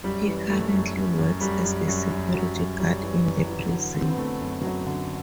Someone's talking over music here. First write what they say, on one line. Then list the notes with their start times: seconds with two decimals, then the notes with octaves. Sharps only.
He currently works as a security guard in the prison.
0.04 F#2 G3
0.26 E3
0.50 F#2 A3
0.73 F#2
0.96 F#2
1.19 F#2
1.41 F#2 G3
1.64 F#2
1.88 F#2
2.10 F#2
2.34 F#2 F#3
2.56 F#2
2.80 F#2 G3
3.02 E3
3.25 E3
3.49 E3
3.71 D3 F#3
3.94 D3
4.01 C4
4.10 B3
4.18 D3 A3
4.40 F#2
4.63 F#2 F#3
4.86 D3